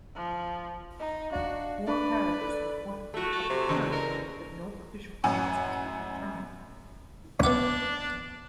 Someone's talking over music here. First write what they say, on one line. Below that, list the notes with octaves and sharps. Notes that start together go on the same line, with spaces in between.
Four carriages reportedly overturned, but no official cause has been determined.
F3
D#4 D#5
D4 F#4 F5
D4 B4 D5
A4
A3 F#4
A4
C3
E2 C#3
A#4
A1 F#2 F#5 G#5
B3 D4 E5 F#5 D6